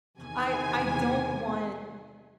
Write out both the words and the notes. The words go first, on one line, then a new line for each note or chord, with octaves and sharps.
I I don't want
E2 C3 D#3 G#5